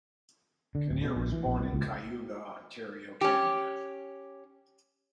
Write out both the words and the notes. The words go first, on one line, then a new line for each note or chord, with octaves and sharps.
Kinnear was born in Cayuga, Ontario, Canada.
D3
D1
B2
A#1
E3
A#1
C2
C#2
C#4 G4